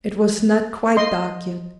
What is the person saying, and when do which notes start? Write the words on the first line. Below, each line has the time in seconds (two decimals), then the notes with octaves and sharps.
It was not quite dark yet.
0.97 D#5 C6